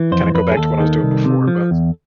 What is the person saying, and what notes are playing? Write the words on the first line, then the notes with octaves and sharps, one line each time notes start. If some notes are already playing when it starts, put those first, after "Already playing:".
kinda go back to what I was doing before, but
Already playing: E3
F2 C5
F2 B4
G#4
D#2 A4
D#3
C2
C3
F3
E2